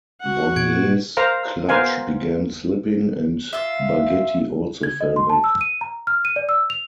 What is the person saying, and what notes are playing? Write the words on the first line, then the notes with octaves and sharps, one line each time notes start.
Bonnier's clutch began slipping and Baghetti also fell back.
F#4 F#5
A#2 G#6 D7
A#4 C5 F5 A#5
B3 A#4 C5 F5 G#5
F4 E5
G#6
D#5
C6
A5
E6
D#7
A#5
F6
D#7
D5
E6
F7